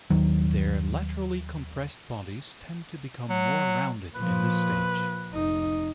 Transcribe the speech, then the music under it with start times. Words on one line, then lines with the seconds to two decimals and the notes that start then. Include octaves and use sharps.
Their laterally compressed bodies tend to become more rounded in this stage.
0.10 D#2 D#3 F#3
3.29 F#3
4.15 A#2 F3 B4
5.33 F1 D#4